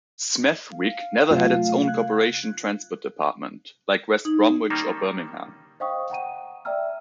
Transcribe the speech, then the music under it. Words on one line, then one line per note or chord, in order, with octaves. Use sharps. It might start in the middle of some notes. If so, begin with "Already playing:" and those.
Smethwick never had its own Corporation Transport Department, like West Bromwich or Birmingham.
F5
C3 F#3 A3 F4
F#6 G#6
D#4
D#3 G3 A#3 C#4 D#4 A4
C5 D#5 F5 G5 C#6 D#6
F#5 G5 A#5 D#7
D5 E5 G5 A#5 E6 F6